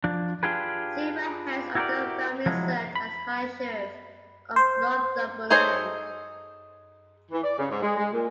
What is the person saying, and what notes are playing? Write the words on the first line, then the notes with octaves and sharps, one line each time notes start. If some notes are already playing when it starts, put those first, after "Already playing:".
Several heads of the family served as High Sheriff of Northumberland.
F3 D4
D4 F4 G4 G#4 B4
E4 F#4 G4 A4 A#4 D5
F3 F#3 G#3 E4
B5
C5
D#4 G#4 A4 C5 C#5
E3
D5
C#3
G#2
G#3
G#3
A#2